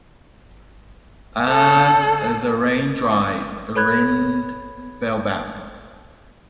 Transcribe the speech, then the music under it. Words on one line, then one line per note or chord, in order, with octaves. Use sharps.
As the rain dried, Rindt fell back.
A4
A4 B4 C#5 B5 F#6 G#6